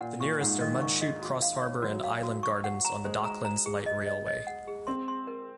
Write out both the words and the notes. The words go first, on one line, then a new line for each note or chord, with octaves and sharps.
The nearest are Mudchute, Crossharbour and Island Gardens on the Docklands Light Railway.
A#2 F#5
A#2 C#6
G#2 F#5
D#3 D#5
C#6
D#5
F#4
F5
C#5
F#3 F#4
F5
F#4
C#6
F#5
A#5
G#3 C5
A#5
A#5
G#4
D#5
D#5
D#5
F#5
G#4
C4 C6
C6
A#4